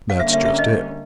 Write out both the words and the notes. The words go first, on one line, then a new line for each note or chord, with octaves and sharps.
"That's just it."
F5
D3 G3 A#3 C#4 E5
E5
E5
D#5